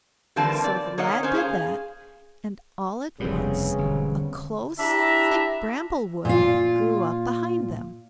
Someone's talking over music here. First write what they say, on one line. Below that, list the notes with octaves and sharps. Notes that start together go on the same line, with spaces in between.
So the lad did that, and all at once a close, thick bramble-wood grew up behind them.
D3 E3 G3 A#3 C4 A5
D5
A#3 C#5 D#5 F#5
C#4 C5
G#4 F5
F1 D#2 A2 C#3 G3 B3 C4
E1 D3
D4 E4 G4 E5 A#5
A#2 F4